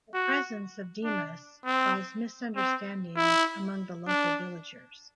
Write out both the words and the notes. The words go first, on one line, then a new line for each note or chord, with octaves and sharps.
The presence of Dimas caused misunderstandings among the local villagers.
F#4
D4
C4
C4
E4
D4